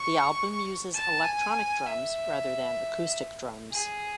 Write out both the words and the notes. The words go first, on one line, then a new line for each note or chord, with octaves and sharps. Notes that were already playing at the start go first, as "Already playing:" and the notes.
The album uses electronic drums rather than acoustic drums.
Already playing: C#6
A5
G#5
E5
G#4